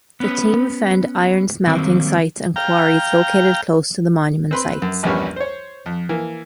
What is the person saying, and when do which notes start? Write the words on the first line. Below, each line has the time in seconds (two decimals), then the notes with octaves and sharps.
The team found iron smelting sites and quarries located close to the monument sites.
0.20 B3 C#4 B4
1.67 D#3 F#3 G3 A#3 C4
2.56 F5 G5 A#5
4.51 C4 B4 C6
4.82 F#2
5.03 A#1 E2 G2 G3 B3 C#4
5.36 C5 C#5
5.86 F2
6.09 E3 A#3